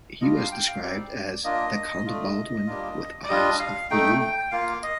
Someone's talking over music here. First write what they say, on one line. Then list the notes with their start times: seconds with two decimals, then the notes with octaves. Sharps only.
He was described as The Count Baldwin with eyes of blue.
0.21 G3 D4 F4 D#5
0.36 F5
0.52 G5
0.67 F5
0.82 G3 C4 D#4 D5
1.44 A#3 D4 F4 D#5
2.06 A3 D4 F4
2.67 G3 A#3 D4 F4
3.23 D5
3.29 G3 D4 F4 D#5
3.59 F5
3.91 A3 D#4 G5
4.21 G5
4.51 A#3 F4 F5
4.83 D#5